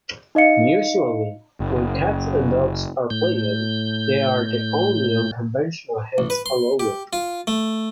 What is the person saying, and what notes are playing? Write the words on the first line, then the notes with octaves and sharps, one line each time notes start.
Usually, when cats and dogs are played, they are the only unconventional hands allowed.
D#4 D#5 F5 C#7
F#1
A2 G6
A1
B4
C6
G4
F4
A3